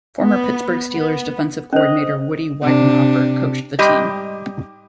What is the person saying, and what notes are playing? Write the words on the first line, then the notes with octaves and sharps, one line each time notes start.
Former Pittsburgh Steelers defensive coordinator Woody Widenhofer coached the team.
B3
B3
C#4 C5 D#5
C3 D4
G#2 G3 G4 D#5